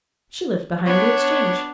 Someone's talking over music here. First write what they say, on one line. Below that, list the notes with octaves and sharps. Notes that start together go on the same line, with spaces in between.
She lived behind the Exchange.
B3 D4 C#5